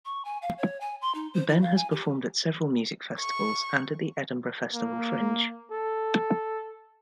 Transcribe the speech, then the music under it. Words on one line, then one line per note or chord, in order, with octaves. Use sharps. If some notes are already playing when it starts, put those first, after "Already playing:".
Benn has performed at several music festivals, and at the Edinburgh Festival Fringe.
C#6
G#5
F5
C#5
G#5
C6
D#4
C5
E4
F5
G#5
G4
C#6
A#3
A4